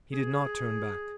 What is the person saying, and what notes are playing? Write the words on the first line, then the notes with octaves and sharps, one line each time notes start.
He did not turn back.
G#4